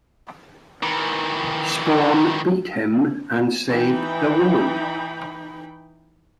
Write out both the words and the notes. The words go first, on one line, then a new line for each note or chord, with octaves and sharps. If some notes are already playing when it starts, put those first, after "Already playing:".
Spawn beat him and saved the woman.
D#3 E3
E3 D#4 G5 B5